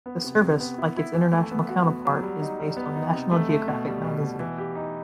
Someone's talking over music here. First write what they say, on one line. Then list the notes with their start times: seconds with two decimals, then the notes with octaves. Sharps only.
The service, like its international counterparts, is based on "National Geographic Magazine".
0.06 B3
0.24 C3
0.42 C3
0.60 B3
0.78 E4
0.97 E4
1.14 E3
1.32 A3
1.51 B3
1.69 F#4
1.87 B3
2.05 F#3
2.23 G3
2.42 D#4
2.60 G3
2.77 B3
2.95 D#4
3.14 C3
3.31 A3
3.49 A3
3.68 B2
3.86 G3
4.04 B2
4.22 B2
4.39 E3
4.58 G4
4.75 D#4